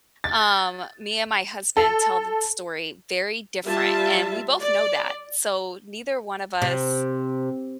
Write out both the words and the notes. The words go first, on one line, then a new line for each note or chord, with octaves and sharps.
but, um, me and my husband tell the story very different and we both know that, so neither one of us
A6
A4
G3 F4 E5 A5
D5
C3